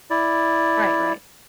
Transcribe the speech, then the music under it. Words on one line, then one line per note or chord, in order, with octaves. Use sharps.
Right, right.
E4 D5